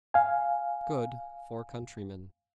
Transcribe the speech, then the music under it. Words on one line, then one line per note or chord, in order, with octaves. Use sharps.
Good for countrymen.
F5 G#5